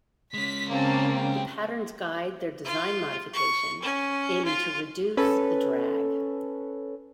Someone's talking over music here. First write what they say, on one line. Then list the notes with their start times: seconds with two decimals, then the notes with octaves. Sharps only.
The patterns guide their design modifications, aiming to reduce the drag.
0.34 G#3 C#4 B6
0.71 C#3 A#3 C4 A5
1.16 G5
2.65 F4
3.34 C#6
3.82 C#4
4.45 F4
5.17 C#4 A4 B4